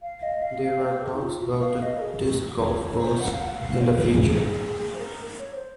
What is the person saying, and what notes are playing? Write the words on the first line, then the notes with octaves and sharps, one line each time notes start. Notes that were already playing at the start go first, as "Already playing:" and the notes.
There are talks about a disk golf course in the future.
F5
D#5
F5
F5
C5
G#4
D#4
F4
F#4
F5
D#5
A#4
G#4
F#4
C#5
C#5
C5
F#5
F5
F#5
F5
C#5
G#4
G#4
C5
A#4
C#5
C5